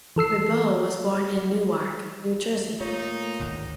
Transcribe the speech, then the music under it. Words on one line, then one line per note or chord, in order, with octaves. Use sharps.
Ribot was born in Newark, New Jersey.
E3 A4 E6 C7
A#2 A3 D#4 C#5
G#1 D2 G#2